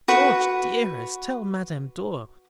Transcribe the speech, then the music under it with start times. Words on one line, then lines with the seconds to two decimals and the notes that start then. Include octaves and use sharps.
George, dearest, tell Madame Dor.
0.08 F#4 B4